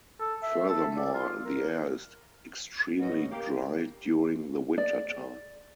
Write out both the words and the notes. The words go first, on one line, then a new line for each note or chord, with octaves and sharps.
Furthermore, the air is extremely dry during the winter time.
A4
E5
A4
D5
F4
A#4
A2 B3 C#4 D#5
A#3 G4
D5